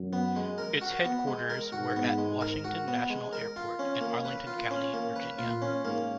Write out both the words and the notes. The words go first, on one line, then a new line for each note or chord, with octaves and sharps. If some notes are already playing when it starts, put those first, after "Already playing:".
Its headquarters were at Washington National Airport in Arlington County, Virginia.
Already playing: F#2
B3
G#3
A#4
F#4
B3
G#3
A#4
G#2 F#4
B3
G#3
A#4
F#4
B3
G#3
A#4
F4
C#4
A#3
B4
F4
C#4
A#3
B4
A#2 F4
C#4
G#2 A#3